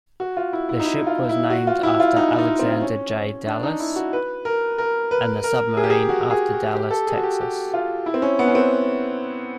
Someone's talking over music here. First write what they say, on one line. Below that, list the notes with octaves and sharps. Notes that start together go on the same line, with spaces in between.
The ship was named after Alexander J. Dallas and the submarine after Dallas, Texas.
F#4
F4
E4
E4
D#4
E4
F4
E4
F#4
F4
E4
F4
D#4
D#4
C4
C#4
D4
D#4
E4
F#4
B4
A#4
A#4
B4
A#4
G#4
G4
G#4
F#4
G#4
F#4
G4
A4
G#4
F#4
G4
G4
F4
E4
C4
C#4
B3
C#4
C4